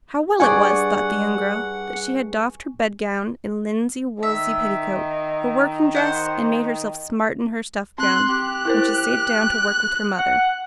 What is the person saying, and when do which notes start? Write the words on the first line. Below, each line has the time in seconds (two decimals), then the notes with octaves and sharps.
How well it was, thought the young girl, that she had doffed her bed-gown and linsey-woolsey petticoat, her working-dress, and made herself smart in her stuff gown, when she sate down to work with her mother.
0.40 G2 G#4 D5 F#5 G#5 C#6
4.23 D#3 E5
5.95 C5 F#5
7.98 C4 C6 F#6
8.29 G4 F#6
8.65 E4 A#4 C5
10.18 F#5